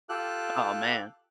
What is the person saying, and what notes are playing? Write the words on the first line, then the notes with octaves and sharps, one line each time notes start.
Oh, man,
F4 G4 A4 F#6